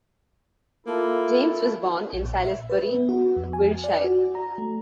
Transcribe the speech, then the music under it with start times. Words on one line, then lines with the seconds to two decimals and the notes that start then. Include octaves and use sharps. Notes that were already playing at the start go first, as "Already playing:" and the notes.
James was born in Salisbury, Wiltshire.
0.87 A#3 E4 F4 A4
2.13 A#1
2.25 A#2
2.45 E5
2.70 B4
2.94 B3
3.09 F#4
3.37 F2
3.53 G#5
3.84 D5
4.04 F#4
4.35 A#5
4.58 A3